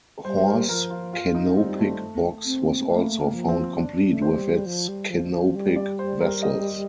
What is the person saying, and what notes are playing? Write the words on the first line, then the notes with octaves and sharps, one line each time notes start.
Hor's canopic box was also found complete with its canopic vessels.
G3 C5
C5
A#4
F3 A#4
F4
F4
D#4
G3 C4
A3
C4
A3 A#3
A#3
F3
C4
D4
A3
C5
G3
F3
G3
F3
F3
F3
G3
D5
C5
A#4
D#5